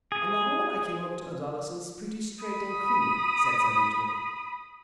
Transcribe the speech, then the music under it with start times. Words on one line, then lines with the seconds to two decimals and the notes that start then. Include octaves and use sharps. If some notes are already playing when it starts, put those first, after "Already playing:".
"On the whole I came up to adolescence pretty straight and clean," said Sir Richmond.
0.12 G#4
2.43 B5 D#6